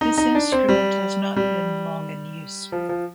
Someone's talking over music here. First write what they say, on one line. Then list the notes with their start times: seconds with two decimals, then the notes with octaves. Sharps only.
This instrument has not been long in use.
0.01 D#4
0.18 D#4
0.35 D4
0.52 C4
0.69 G3
1.36 G3
2.72 F3
2.89 F3